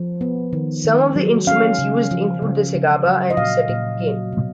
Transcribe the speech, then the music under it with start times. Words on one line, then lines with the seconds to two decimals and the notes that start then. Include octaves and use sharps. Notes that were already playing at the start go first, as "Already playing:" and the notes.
Some of the instruments used include the segaba and setinkane.
Already playing: F3
0.21 B3
0.53 D#3
0.85 D#3
1.16 F#3
1.47 C#4 F5
1.79 C#3
2.11 F3
2.42 C#3
2.74 C#3
3.06 F#3
3.30 D#5
3.37 A#2 F5
3.69 A#2
4.00 F#3
4.32 B2